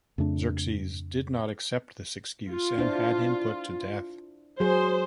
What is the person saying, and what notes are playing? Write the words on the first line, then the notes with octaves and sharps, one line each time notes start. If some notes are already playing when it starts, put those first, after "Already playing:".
Xerxes did not accept this excuse, and had him put to death.
F2 C#3 A3 D4
F4
D4 E4 C5
F#3 G#4 C5